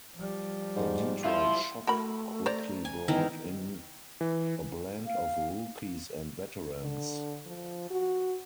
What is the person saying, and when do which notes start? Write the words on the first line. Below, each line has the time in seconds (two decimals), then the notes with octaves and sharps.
The Detroit Shock quickly brought in a blend of rookies and veterans.
0.16 F3 G3
0.76 G#2
1.24 E4 F4 C5
1.87 A3 F#4 A#4 B5
2.46 C5 D5 A#5
2.85 G#5
3.08 D#3 E3 B3 A#4
4.21 E3
5.06 F5
6.82 D3
7.46 F3
7.90 F#4